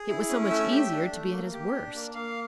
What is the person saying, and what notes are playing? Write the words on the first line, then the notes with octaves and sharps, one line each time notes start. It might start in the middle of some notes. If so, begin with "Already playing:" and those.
It was so much easier to be at his worst.
Already playing: G#4
E4
C#4
A3 E5
G4
D4
A3
A#3
G4
D4
A#3
A#3 F5